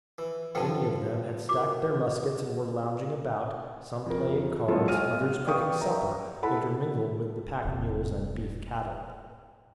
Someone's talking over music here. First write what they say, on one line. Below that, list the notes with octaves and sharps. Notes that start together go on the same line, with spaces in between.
Many of them had stacked their muskets and were lounging about, some playing cards, others cooking supper, intermingled with the pack-mules and beef cattle.
E3
G2 D3 F3 G5 A5
E4 F#4 A#4 D6
F2 A#4
E2 F#3 G#3 F4 A4
B1 F6 D#7
B4 D5 F5 G5 C#6 D#6
A#4 E5 G5 A#5
E4 A4 F#5 B5
E1 C3